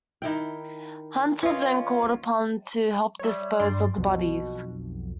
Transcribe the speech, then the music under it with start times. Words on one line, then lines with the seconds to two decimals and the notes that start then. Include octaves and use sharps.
Hunt was then called upon to help dispose of the bodies.
0.22 D#3 E4 G5
1.43 C#4 F4 B4 D#5
3.19 G3 C#5 E5
3.60 G2 D5 C6
3.97 B1 F2 B2